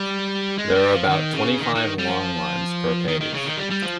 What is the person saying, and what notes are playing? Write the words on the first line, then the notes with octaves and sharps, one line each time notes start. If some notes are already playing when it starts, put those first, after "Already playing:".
There are about twenty-five long lines per page.
Already playing: G3
G#3
G3
F3
D#3
C#3
D#3
D#3
G3
F3
D#3
D#3
C#3
D#3
G3
G3
F3